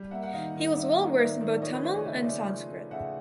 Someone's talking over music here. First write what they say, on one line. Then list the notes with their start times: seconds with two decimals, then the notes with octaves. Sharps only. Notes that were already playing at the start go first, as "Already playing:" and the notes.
He was well versed in both Tamil and Sanskrit.
Already playing: G3
0.11 A#3 E5 F#5
0.23 F#5
0.33 D#3 D#5 F5
0.55 D#3
0.76 G3 D5 E5
0.97 A#3
1.19 D#3 D5 E5
1.40 D#3 D5 E5
1.56 D5
1.62 F3 C#5 D#5
1.73 B4 C#5
1.83 A3 C5 D5
1.94 C#5 D#5
2.05 C#3 E5
2.14 D#5
2.23 C#3 D5 E5
2.47 F3
2.69 A3
2.91 C#3 E5 F#5